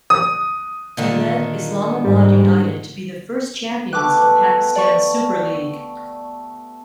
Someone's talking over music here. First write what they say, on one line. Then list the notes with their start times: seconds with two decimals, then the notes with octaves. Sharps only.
He led Islamabad United to be the first champions of Pakistan Super League.
0.10 D#6
0.97 A#2 D3 D#3
2.04 G#2 G3
3.93 A3 B3 G4 D6 F#6
4.76 D5 C#6